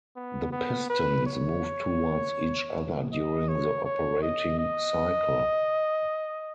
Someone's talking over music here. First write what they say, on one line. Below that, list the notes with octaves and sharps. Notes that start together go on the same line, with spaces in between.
The pistons moved towards each other during the operating cycle.
B3
B3
B4
C#5
D#5
C#5
C#5
D#5
D#5